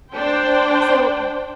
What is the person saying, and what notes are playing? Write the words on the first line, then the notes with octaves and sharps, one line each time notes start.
So, w
D4 C5 G5